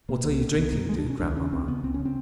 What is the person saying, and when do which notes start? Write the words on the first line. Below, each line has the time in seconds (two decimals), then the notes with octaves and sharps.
"What are you drinking, dear grandmamma?"
0.09 B2 A#3
0.25 C2
0.41 B2
0.56 C2 B3
0.72 B2 A#3
0.88 C2 G#3
0.99 D4
1.04 B2
1.10 C#4
1.20 C#2 D4
1.36 C#3 C#4
1.52 C#2 C4
1.68 C#3 B3
1.83 C#2 C4
1.94 C#4
1.99 C#3
2.05 C4